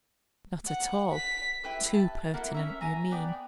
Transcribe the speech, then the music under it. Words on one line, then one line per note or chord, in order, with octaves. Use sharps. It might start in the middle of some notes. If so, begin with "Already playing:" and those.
'Not at all--too pertinent, you mean.
F#5
B6
E4 G4 B4
A5
A#3 E4 F#4 A#4
C#4 E5
G#5 A#5
B3 D5 G5